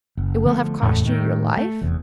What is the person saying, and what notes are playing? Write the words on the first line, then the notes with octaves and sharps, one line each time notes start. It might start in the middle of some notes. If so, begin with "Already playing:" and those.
It will have cost you your life?
F#1
D3 F3 A3 B3
F#1 E2 A2 A3
A2 D#3
A3
F1 E2